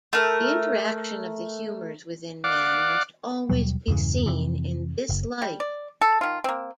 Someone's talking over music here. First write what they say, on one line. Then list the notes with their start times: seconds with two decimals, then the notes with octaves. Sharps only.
The interaction of the humors within man must always be seen in this light.
0.13 A3 A#4
2.44 D5 F5 F#5 D6
3.50 D#2 B2 F#3 G3
3.88 E2 G2 C#3 E3
4.26 F2 C3 E3
5.09 F#1
5.42 G3
5.60 D5
6.01 A4
6.21 D#3 F4
6.44 A#3 C4